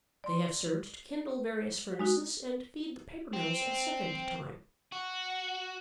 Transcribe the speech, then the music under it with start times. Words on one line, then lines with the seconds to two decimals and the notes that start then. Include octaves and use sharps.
They have served to kindle various furnaces and feed the paper-mills a second time.
0.24 D5 C6
1.99 G#3 D#4 F#4
3.33 C4
4.92 F#4